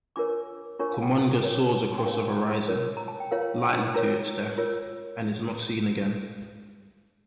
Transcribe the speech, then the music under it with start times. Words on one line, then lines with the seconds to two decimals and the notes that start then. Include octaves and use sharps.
Kumonga soars across the horizon, likely to its death, and is not seen again.
0.16 D4 F4 A#4 C#5 D6
0.79 D4 F4 A#4 C#5 C#6
0.94 F5
1.02 G5
1.11 A5
1.42 D4 F4 A#4 C#5
1.98 G5
2.05 D4 F4 A#4 C#5 F5
2.68 F4 A#4 C#5
2.97 A#5
3.08 A5
3.20 G5
3.31 F4 A#4 C#5 F5
3.63 G5
3.94 F4 A#4 C#5 A#5
4.58 F4 A#4 C#5